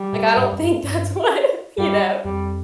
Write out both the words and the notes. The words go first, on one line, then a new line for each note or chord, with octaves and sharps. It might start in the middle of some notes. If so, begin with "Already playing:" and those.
Like, I don't think that's what you know?
Already playing: G3
A#2
G#2
F#2
G2
G2
F#2 G3
F2 G3